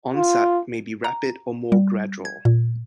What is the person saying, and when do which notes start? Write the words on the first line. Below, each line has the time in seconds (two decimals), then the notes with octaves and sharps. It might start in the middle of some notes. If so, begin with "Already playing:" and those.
Onset may be rapid or more gradual.
0.15 F4
1.04 A#5
1.72 G3
2.25 G#6
2.45 A#2